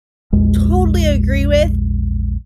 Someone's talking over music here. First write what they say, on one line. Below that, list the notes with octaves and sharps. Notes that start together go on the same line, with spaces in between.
totally agree with,
A#1 E2 G#3